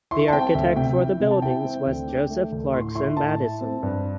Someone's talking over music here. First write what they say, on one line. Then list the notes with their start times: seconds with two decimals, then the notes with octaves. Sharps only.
The architect for the buildings was Joseph Clarkson Maddison.
0.11 E4 C6
0.28 A5
0.33 C4 G5
0.54 D2 E5
0.76 C3 G5
0.98 E4
1.20 C3
1.31 A5
1.42 E4 G5
1.64 C4
1.87 D2
2.08 D4
2.30 A3
2.52 D2
2.74 A2 C6
2.95 E4 C6
3.17 A2 A5
3.39 E4
3.61 C4
3.83 G2